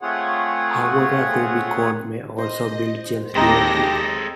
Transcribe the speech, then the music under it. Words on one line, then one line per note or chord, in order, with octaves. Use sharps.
However, Ruby code may also build Gems directly.
A3 C4 F4 G#4 C#5 F#5
C5 D#5
D#2 G#3 C4 D#4 G4 A4 A#6